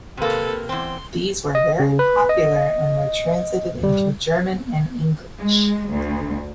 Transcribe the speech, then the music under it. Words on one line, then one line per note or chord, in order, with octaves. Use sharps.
These were very popular and were translated into German and English.
C3 A#3 A4 B4
E2 C4 C6
D#5
C#3
B4
D#5
G3
G#3
D2